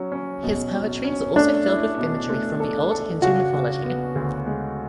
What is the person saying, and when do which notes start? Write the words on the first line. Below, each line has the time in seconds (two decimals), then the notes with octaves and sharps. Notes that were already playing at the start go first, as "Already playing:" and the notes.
His poetry is also filled with imagery from the old Hindu mythology.
Already playing: F#3 C#4
0.12 C#4
0.43 B2
0.73 B2
1.04 C#4
1.36 A3 D4
1.67 E4
1.98 B2
2.29 A3
2.60 A4
2.91 A4
3.22 C#3 F#4
3.53 C#3
3.84 B3
4.15 D2
4.46 G#3